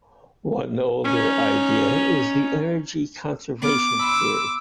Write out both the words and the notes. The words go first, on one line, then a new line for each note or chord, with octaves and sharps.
One older idea is the "energy conservation" theory.
C#4 D#4
B3 D6 F6
B5 C6 E6